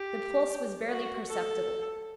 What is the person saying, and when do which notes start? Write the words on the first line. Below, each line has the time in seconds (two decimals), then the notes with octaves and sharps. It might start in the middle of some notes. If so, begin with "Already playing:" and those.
The pulse was barely perceptible.
Already playing: G4
0.89 F#4
1.29 A4